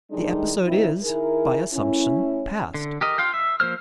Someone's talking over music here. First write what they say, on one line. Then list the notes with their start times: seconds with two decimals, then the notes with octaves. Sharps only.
The episode is, by assumption, past.
0.11 A2 D#3 G3 G#3 D4 D#4
0.65 A#2 D#3 C4 E4
1.03 D#3 E4 G#4 A#4
1.73 A3 C#4 E4
2.74 D3
3.01 G4 A#4 D#5
3.18 F4 F5 G5
3.34 E5
3.60 F3 A#3 C5 F6